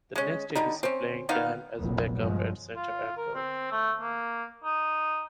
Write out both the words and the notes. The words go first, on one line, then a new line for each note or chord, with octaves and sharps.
The next year, he saw playing time as a backup at center and guard.
G#3 C#4
D3 G3 D#4
C4 C#4
D#3 B3 D#4 F5
F1 A#1 E2 F#3 A#3 B3
G2 F3 F#3 G#3
F4
A#4
C4
A3
A#3
D#4